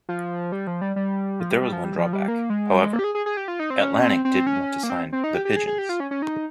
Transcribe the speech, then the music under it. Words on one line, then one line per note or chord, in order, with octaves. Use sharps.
But there was one drawback, however: Atlantic didn't want to sign "The Pigeons".
F3
G3
F3
G3
G3
F3
G3
G3
F3
G3
F3
G3
A#3
G#3
G3
G#3
A#3
G4
G#4
G#4
G#4
G4
F4
D#4
C4
C#4
C4
C4
C#4
A#3
C4
C4
D#4
G4
G4
G#4
G#4
G4
F4
C#4
C#4
D#4